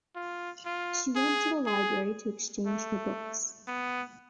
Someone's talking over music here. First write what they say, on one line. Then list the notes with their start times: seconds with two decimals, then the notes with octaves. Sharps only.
She went to the library to exchange her books.
0.16 F4
0.66 F4
1.16 G#4
1.66 G#4
2.67 A3
3.67 B3